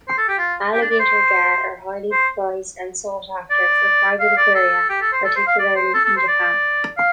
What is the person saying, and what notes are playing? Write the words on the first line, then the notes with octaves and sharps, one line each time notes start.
Alligator gar are highly prized and sought after for private aquaria, particularly in Japan.
C5
A4
G4
F4
G4
D4
D5
C5
C5
D5
F5
D5
A4
G4
A4
C5
A4
C5
F5
D5
C5
A4
A4
C5
D5
F5